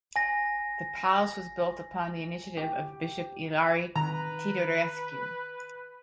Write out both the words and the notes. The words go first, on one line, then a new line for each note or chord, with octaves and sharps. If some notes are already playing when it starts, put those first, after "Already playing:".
The palace was built upon the initiative of Bishop Ilarie Teodorescu.
G#5 A#6
G4
D#3 B4 A#5